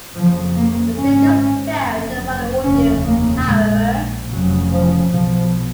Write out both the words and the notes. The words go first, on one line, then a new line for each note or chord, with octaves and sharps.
The single failed to find an audience, however.
F#1 F2 C#3 F3
A#3
G#1 G#2 C#4
F#1 F2 C#3
F1 D#2 C#3 C#4
A#3
A#2 G#3
A#1
F1 F2 C#3 F#3
F3
B1 B2 F3